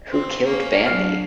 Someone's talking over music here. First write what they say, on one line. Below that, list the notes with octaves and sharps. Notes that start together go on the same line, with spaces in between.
Who killed Bambi?
C4
A#3 C#4
F#3 D4 F6 C7